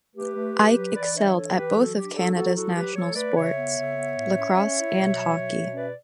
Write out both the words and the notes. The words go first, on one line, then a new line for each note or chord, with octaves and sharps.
Ike excelled at both of Canada's national sports, lacrosse and hockey.
A3 G4 B4
A3
A3
F#3
E3 B4 D5
D4 C#5 E5
E3 A4 C#5
E3 G4 B4
F#3 F#4 A4
D4 G4
F#3 F#4 A4
F#3 F#4 A4
E4 F#4 A4
F#3 G4 B4
F#3 A4 C#5
A3 B4 D5
C#3 C#5 E5
B3
C#3
B3
A2
C#4
C#4
E4
B2
F#3
B2
B2
C#4 B4 D5